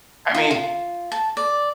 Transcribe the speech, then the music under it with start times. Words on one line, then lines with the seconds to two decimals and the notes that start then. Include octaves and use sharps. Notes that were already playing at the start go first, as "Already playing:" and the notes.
I mean,
0.35 F4
0.51 F4
1.12 A5
1.37 D5